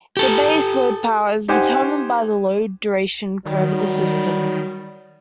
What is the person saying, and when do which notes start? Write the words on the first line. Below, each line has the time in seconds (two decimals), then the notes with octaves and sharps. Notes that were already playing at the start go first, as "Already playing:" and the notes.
The base load power is determined by the load duration curve of the system.
0.17 G4 A4
1.48 D#4 G4 C5 F#5 G#5
3.45 D#3 F#3 G3